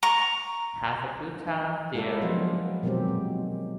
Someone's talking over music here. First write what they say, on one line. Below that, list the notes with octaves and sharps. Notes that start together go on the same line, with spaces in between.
Have a good time, dearies!
A#5 C#6
D#4
G#3 A#3 E4 A4 D5
F3 F#3 B3 F4
B2 D#3 F#3 G#3 C4 G4
A#2